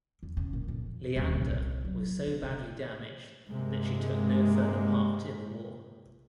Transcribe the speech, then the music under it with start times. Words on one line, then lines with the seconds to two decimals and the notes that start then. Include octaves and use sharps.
"Leander" was so badly damaged that she took no further part in the war.
0.23 E2
0.37 C#3
0.53 A#2
0.68 F2
1.16 D#1
1.42 C2
1.84 F#3
2.27 D3
2.43 C3
3.49 G2 C3 G#3 A#3